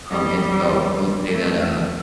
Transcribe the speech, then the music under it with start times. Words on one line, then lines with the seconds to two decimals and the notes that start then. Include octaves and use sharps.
um, and so I would say that, uh
0.11 G3
1.31 A3